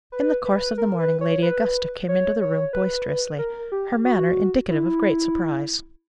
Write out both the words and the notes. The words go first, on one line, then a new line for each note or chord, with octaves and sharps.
In the course of the morning Lady Augusta came into the room boisterously, her manner indicative of great surprise.
B4
B4
A#4
B4
C#5
B4
C#5
C#5
B4
A#4
G4
F#4
E4